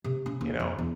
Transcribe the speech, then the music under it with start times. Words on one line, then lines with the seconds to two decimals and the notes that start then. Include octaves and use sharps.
you know,
0.04 C3
0.26 C#4
0.41 D#2
0.60 F2
0.78 E2